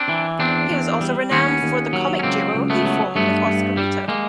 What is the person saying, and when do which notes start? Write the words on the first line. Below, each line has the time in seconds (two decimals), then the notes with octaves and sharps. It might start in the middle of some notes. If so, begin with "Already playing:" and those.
He was also renowned for the comic duo he formed with Oscarito.
Already playing: C4 D4
0.09 E3
0.39 E2 C4 D4
0.70 E2
1.01 G3
1.31 D#2 B3 C#4
1.63 D#2
1.93 F#3
2.19 C#4
2.23 C#2 A#3 C4
2.54 C#2
2.70 A3 B3
2.85 F#3
3.16 G2 A3 B3
3.46 G2
3.77 G3
4.08 G#3 A#3